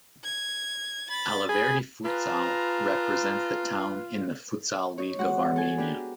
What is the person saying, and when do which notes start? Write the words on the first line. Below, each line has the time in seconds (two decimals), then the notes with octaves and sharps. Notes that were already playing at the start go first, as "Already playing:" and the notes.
"Alaverdi futsal" represents the town in the Futsal League of Armenia.
0.24 G#6
1.10 B5 A6
1.49 G#4 B5
2.05 F4 G#4 B4 A5 A#5
4.98 D#4 C#5
5.19 G#3 F#4 F#5 C#6
5.56 A4 G#5
5.77 B3 D4 G4 G#4 A#4